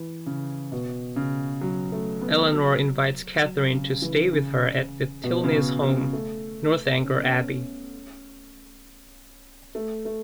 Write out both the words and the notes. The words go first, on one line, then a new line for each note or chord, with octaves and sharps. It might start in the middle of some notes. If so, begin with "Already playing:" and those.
Eleanor invites Catherine to stay with her at the Tilneys' home, Northanger Abbey.
Already playing: E3
C#3
B2
C#3
F#3
A3
B3
F#3
F#3
C#3
E3
C#3
B2
C#3
B2
C#3
A3
C#4
B3
C#4
A3
A3